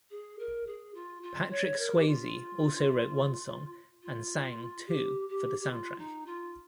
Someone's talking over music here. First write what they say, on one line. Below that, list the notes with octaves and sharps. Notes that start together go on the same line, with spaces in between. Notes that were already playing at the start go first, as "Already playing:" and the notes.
Patrick Swayze also wrote one song and sang two for the soundtrack.
G#4
A#4
G#4
F4
F4
C#5
A#4
G4
F4
F4
G4
G4
G4
F4
D#4
F4